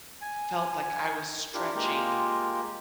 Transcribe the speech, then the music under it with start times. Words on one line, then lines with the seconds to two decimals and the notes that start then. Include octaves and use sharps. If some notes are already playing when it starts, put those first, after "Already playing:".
felt like I was stretching
0.22 G#5
1.54 D4 E4 F4 G4 A#4
1.75 G#3 A#3 F4 G4 A#4